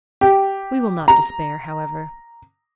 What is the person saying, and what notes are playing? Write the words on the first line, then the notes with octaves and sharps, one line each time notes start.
We will not despair, however.
G4
A#5